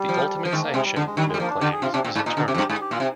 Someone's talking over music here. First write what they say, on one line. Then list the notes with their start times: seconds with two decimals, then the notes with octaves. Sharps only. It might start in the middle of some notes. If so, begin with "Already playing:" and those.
The ultimate sanction, Mill claims, is internal.
Already playing: G3
0.09 F3
0.45 F3
0.53 D#3 G#3
0.63 A#3
0.74 C3 G#3
0.85 G3
0.96 D3 G#3
1.06 G#3
1.17 D#3 G3
1.29 G#3
1.34 G3
1.40 F3 A#3
1.50 D4
1.60 D3 G4
1.72 G#4
1.82 C3 F4
1.93 C3 D4
2.04 A#2 C4
2.15 G#2 D4
2.26 A#2 D#4
2.37 D3
2.48 C3 G4
2.54 F2
2.58 G2
2.70 G#2 G#4
2.81 G4
2.91 A#2 F4
3.00 C3